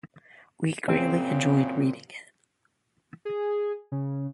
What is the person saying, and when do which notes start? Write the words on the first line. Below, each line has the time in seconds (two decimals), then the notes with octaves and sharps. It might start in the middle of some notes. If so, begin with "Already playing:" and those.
We greatly enjoyed reading it.
0.88 F#2 A#2 C#3 C4
3.25 G#4
3.92 C#3